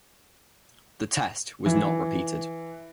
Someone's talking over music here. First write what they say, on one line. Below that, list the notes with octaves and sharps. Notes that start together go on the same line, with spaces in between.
The test was not repeated.
E3